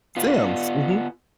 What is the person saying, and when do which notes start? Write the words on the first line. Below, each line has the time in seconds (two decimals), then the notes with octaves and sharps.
Sims, mhm.
0.17 B3 F4